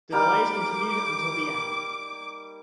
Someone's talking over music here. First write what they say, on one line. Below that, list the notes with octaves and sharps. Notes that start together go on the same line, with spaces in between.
The delays continued until the end.
G3 A#3 D#4 D6